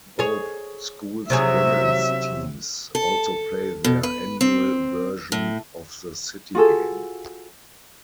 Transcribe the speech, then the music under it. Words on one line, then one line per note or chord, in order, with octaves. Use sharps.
Both schools' women's teams also play their annual version of the City Game.
G#4 C#5
C3 F#3 G#4 E5
A4
B2
B4
C4
A2
F4 F#4 G#4 A4